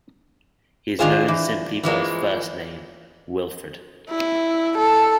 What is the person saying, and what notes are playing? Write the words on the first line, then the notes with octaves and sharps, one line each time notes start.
He is known simply by his first name, Wilfred.
D#3 D4 F4 G#4 C5
E3
E3 F3 G#3 A#3
E4
A4